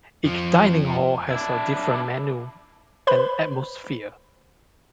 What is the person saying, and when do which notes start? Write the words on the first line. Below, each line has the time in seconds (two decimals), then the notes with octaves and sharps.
Each dining hall has a different menu and atmosphere.
0.24 F2 F3
1.31 D4 E4
3.07 B4 C5 B5